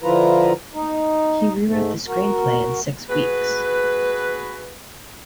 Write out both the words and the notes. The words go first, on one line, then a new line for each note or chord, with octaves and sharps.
He rewrote the screenplay in six weeks.
D3 F3 E4 F4 B4 A#5
D#4
G#2 A3
F#4 A#4
F#4 G#4 B4